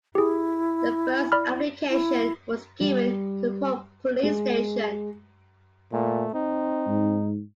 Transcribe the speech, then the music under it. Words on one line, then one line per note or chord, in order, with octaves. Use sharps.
The first application was given to a Pune police station.
E4 G4 G#4
D5 B5 F6
E4
G3
G#3
A#2 A3
C4 D#4
G#2